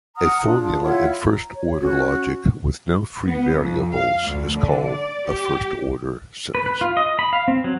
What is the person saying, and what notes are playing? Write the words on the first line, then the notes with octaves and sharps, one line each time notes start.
A formula in first-order logic with no free variables is called a first-order sentence.
F#5 A#5 D#6 F6
D4 F4 G#4
E4 F4 C#5 F#5
A#5
C#5
C#4 F#4
B3
F2
F5
D2
D3
D5
G4
B4
B4
F4
D#5
B5
F5
C4
F#3